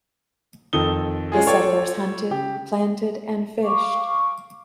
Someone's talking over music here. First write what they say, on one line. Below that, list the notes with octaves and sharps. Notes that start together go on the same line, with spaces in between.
The settlers hunted, planted and fished.
F2 D#3 A4 D#6 G7
G#3 C#4 F4 G#4
F4 A4 C#5 D5 G5
C#3 G4
F5 C#6 D6